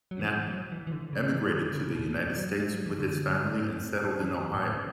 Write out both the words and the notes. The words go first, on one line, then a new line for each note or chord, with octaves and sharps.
Knappe emigrated to the United States with his family and settled in Ohio.
F#3
E3
F#3
E3
E3
D3
C#3
E3
D3
C#3
B2
E3
F#3
G#3
F#3
E3
D3
E3
A2